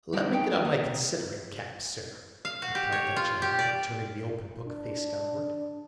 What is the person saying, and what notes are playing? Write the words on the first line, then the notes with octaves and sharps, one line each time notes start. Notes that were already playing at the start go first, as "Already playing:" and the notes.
'Let me get on my considering cap, sir,' replied that gentleman, turning the open book face downward.
D3 G3 C4 D4 D#4
C#4 D#4 G5
A#3 D4 A#4 B4
D#4
F5
F#4
G4
C#5
F4
G4
D5
D4